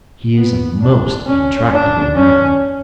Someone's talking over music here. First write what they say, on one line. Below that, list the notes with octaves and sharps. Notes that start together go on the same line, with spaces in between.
"He is a most intractable man."
B3
D4
C#4
D4
C#4